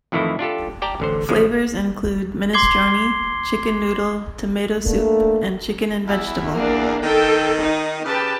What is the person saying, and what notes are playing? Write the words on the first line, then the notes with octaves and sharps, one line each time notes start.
Flavours include minestrone, chicken noodle, tomato soup and chicken and vegetable.
F2 A2 D#3 E3 E4
D4 F4 G4 A4
G4 D5 G5 A5 A#5
A1 D3 C5
A1 C#3 F3 G#3
C6 D6 G#6 C7 G7
A3 A#3 D4
E2 E4
A#3 D4
D#3 A4 G5
D#4
C#3 G4 B4 A5